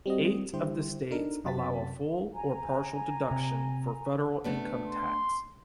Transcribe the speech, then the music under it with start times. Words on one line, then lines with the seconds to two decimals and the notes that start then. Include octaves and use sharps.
Eight of the states allow a full or partial deduction for federal income tax.
0.06 G3 C4 F#4 D#5
0.53 D3 G3 E4 G4 C5
1.11 D4 D#4 A4 A#4
1.44 F#2 C3 F#4 A5 A6 B6
2.34 G#5 A#5
3.31 C3
4.44 A3 B3 D4
4.86 C6